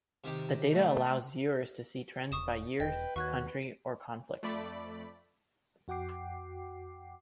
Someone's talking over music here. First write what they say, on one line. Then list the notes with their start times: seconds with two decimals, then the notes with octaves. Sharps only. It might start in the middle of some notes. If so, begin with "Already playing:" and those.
The data allows viewers to see trends by years, country, or conflict.
0.24 C3 D#3 G4
0.72 A3
2.32 E1 C#6 D#6 E7
2.80 E1 B4 D#5 G5
3.16 D#2 F#4 C#6 F#6 G#6
4.43 F2 A3 D5 B5
5.88 F2 F#4 F#5 G5 D6 C7